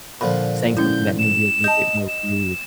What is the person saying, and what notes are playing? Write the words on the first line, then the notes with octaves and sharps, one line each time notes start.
saying something that may be a little bit more rude
A#2 D3 F3 B5
G#3 C#4 E4 G6
E7
D#5 A5 G6
E7